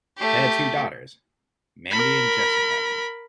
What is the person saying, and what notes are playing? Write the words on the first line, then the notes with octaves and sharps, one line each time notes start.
They had two daughters, Mandy and Jessica.
A3 G4
A#4 B5